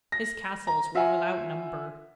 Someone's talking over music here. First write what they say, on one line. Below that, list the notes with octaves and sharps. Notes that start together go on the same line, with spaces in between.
His castles were without number.
A#6
A#5
F4 E5 F#5 G#5